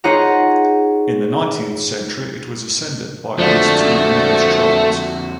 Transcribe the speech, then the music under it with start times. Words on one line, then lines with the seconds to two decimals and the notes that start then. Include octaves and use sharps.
In the nineteenth century it was ascended by at least two English travelers.
0.04 D#4 F4 G#4 C#5 F#5 A#5
3.38 F2 D3 F3 A3 F#4 D5